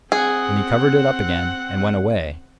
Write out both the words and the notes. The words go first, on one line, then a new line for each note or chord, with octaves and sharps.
Then he covered it up again, and went away.
C4 G#4 F#5